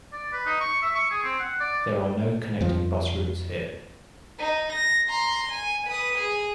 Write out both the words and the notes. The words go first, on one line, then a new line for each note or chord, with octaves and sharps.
There are no connecting bus routes here.
D5
B4
D#4
C#6
E5
C#6
G#4
C4
F#5
D5
F2 F3
D#4
A#6
A#5 C6
G#5
B4 D#6
G#4